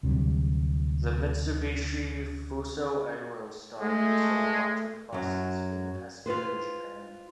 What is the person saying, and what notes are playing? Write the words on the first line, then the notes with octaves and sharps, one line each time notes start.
The Mitsubishi Fuso Aero Star diesel-electric bus is being tested in Japan.
D2 C3 F#3 G3
G#3 A3
F#2 F#3
F4 A4 B4 C5